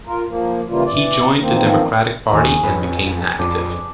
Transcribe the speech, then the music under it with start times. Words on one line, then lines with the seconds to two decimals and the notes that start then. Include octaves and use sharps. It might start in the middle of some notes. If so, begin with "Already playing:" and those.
He joined the Democratic Party and became active.
0.06 F4 A#4
0.27 F3 A#3
0.68 C#3 E3 G3 A#3 F4
0.85 E3 D5
1.39 E2 D#3 F3 A#3 C4
2.33 D#2 G#4 G#5 C#6
2.63 F2 B4 C#5
3.39 F2 D4